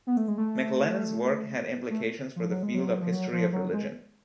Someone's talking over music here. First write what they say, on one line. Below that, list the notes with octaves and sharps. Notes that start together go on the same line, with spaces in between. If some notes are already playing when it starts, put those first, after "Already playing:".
McLennan's work had implications for the field of history of religion.
B3
A3
G#3
A3
A3
F3
F#3
G#3
F#3
F3
F#3
F3
F#3
G#3